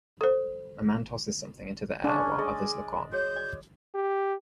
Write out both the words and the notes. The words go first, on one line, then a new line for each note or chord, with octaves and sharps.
A man tosses something into the air while others look on.
A4 C5
G#3 C#4 D4 G#5
G#4 D5 D#5
F#4 G#4 C#5 G6
D5
G4